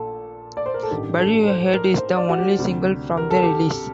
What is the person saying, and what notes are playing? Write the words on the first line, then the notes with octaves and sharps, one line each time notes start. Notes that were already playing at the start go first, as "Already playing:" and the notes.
"Bury Your Head" is the only single from the release.
Already playing: A#1 A#2 A4
D5
C5
A#4
A4
A1 G2 D#3 G3 G4
A4
C5
A#4
C5
D5
F#4
G4
D2 C3 G3
A#4
A4
G4